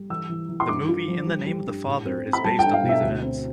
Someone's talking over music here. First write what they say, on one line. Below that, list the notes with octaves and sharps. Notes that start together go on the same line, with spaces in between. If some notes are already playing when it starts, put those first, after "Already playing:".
The movie "In the Name of the Father" is based on these events.
Already playing: G3
E3 E6
E3
E3
C6
G2 D6
F4
F3
G3
G3
G2
A2
C4
C4
B5
G3 A5
D4 G5
F5
B2
E5
D2
C4